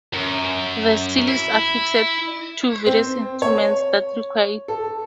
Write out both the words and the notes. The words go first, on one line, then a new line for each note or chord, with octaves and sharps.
The seal is affixed to various instruments that require it.
F#2
E4
C4
C#5
A4